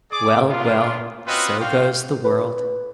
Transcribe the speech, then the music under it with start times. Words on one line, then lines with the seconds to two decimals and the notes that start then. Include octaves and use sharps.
Well, well! so goes the world!'
0.11 G#4 D5 D6
0.49 A#3 B3 D4 F4
1.27 C4 C#4 F4 F#4 B4 D#5
1.59 D4 F4 F#4 C5 F5 G5
2.24 B4